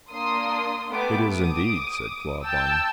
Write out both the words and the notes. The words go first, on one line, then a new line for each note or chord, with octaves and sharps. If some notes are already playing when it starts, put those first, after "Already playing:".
"It is, indeed!" said Clawbonny.
A#3 D4 C6 D#6
A3 B3 G4 D6
D6 D#6
G5 A5 E6 G6